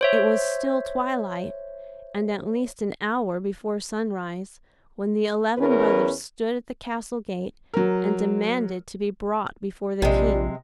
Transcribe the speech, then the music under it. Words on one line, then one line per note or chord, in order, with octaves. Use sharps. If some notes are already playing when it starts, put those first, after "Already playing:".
It was still twilight and at least an hour before sunrise when the eleven brothers stood at the castle gate and demanded to be brought before the King.
C5 C#5 E5
E2 C#4 A#4 B4
F#3 A#4
A#1 C3 G3 G#3